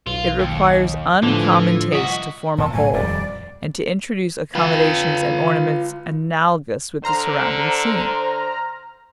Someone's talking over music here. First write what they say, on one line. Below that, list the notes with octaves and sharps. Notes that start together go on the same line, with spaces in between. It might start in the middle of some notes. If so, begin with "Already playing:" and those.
It requires uncommon taste to form a whole, and to introduce accommodations and ornaments analogous with the surrounding-scene.
B1 F4
D#2
A2 D3 E3 F3
C2 F#4 D#5 B6
A#2 A5
A#1 A2 F#3 G#5
D#1 F2 G3 D5
F4 B4
D3 C5 A#5 F6